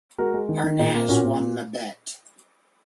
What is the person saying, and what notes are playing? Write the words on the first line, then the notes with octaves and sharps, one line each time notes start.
Arnaz won the bet.
G#3 F#4 A#4
G#3
D#3
D#3
A#2 D#4 G#4
A#3
A#2 C#4 F#4
A#2